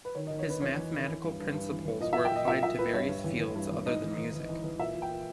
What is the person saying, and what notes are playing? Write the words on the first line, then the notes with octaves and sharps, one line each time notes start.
His mathematical principles were applied to various fields other than music.
B4
D#3 C#5
D#5
D#3
C#5
D#3 B4
E2 C#5
E2
D#3
E3
G2
G2
G2
E3
E3
A#2 D#5
E5
A#2
G5
A#2 D#5
A#2 E5
A#2 E5
A#2 B4
G2 C#5
G2
E3
E3
G2
E3
G#2 D#5
E3
E3
E3
E3
E3
A#2 E5
A#2
G5
A#2